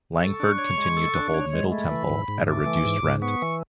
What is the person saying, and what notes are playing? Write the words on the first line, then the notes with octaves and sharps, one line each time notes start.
Langford continued to hold Middle Temple at a reduced rent.
A4 C#6
D4
C#5
G#3
A4
D4
C#5
G#3
A3 B5
E3
G#2
G#2
A3 D6
E3
G#2
G#2
B3 C#6
E3